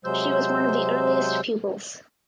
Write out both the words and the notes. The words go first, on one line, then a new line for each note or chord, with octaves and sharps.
She was one of the earliest pupils.
C3 F#3 G#3 C5 E6 G6